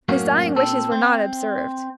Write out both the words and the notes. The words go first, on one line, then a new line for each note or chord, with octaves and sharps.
His dying wishes were not observed.
F#2 A2 A#3 C#4 F#4
A#2 C4 A4
C4